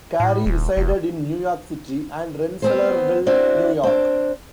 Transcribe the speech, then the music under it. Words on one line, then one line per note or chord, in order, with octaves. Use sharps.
Carey resided in New York City and Rensselaerville, New York.
A2
D#1
F1
B3 C4 C5
C4 D4 E4 F#4
C4 D4